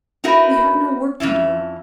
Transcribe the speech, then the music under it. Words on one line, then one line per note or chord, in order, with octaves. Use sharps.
We have no work to do.
D#4 E4 F#4 A#4 B4
F2 C#3 C#4 E4